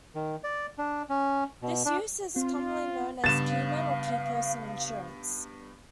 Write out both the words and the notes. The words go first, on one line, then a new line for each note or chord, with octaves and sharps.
This use is commonly known as "key man" or "key person" insurance.
D#3
D5
D4
C#4
B2
D4
C4 F4
G2 C#3 B3 F5 A6 E7